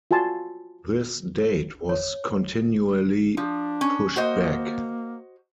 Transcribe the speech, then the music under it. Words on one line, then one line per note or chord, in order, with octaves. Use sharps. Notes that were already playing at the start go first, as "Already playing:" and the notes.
This date was continually pushed back.
F4 F#4 G#5 A5 C6
C#5
F3 D4
C#4
A#3 F#4 C5 D#5